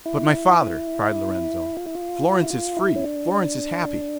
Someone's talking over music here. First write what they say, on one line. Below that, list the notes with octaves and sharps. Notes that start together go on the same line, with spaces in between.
"But, my father," cried Lorenzo, "Florence is free, Florence is happy."
E4
F4
E4
F4
E4
F4
E4
C#4
D4